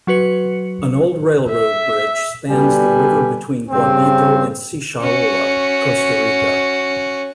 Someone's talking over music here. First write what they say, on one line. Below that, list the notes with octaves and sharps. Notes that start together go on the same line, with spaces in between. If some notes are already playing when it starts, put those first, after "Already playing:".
An old railroad bridge spans the river between Guabito and Sixaola, Costa Rica.
F#3 F#4 B4 C#7
E5
B2 D3 G3 B4 G#5
G2 C#3 C4
C#4 F#4